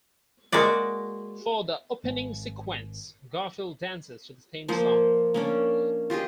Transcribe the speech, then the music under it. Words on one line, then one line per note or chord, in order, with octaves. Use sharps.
For the opening sequence, Garfield dances to the theme song.
G#3 A#3 F#4 D5
G#1
F3 A#3 C5
A#3 C#4 D4
F4 G4 G#4 D#5